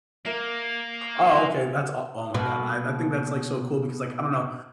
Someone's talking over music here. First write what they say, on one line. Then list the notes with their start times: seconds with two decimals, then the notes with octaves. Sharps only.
Oh, okay, that's oh, oh my god. I I think that's, like, so cool because, like, I don't know,
0.25 A#3 A#4 E5
1.35 B4 E5 G#5
2.34 B2 A#3